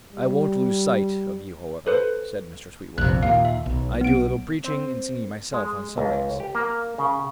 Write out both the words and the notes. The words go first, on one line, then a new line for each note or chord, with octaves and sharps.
"I won't lose sight of you, however," said Mr. Sweetwilliam, "I do a little preaching and singing myself on Sundays."
G3
A4 B4 C5
A#1 F2 C3 F#6
D#2 A#2 F5
E5
B1
B3 D7
C4
G#3
C#2
G4
A#3
C#3